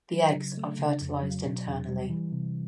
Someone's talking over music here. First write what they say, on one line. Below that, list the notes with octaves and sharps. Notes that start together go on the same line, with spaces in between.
The eggs are fertilised internally.
F#3
C#3
A3
C#3
F2
F#3
B2
E2
G3
E3
C3